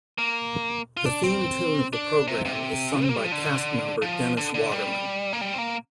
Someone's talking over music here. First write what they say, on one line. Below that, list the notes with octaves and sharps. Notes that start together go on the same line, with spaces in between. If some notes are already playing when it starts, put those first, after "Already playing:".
The theme tune of the program is sung by cast member Dennis Waterman.
A#3
F4
D4
C4
D4
C3
C3
C4
A#3
G3
F3
D3
F3
D3
D3
G3
A#3
G3
C4
A#3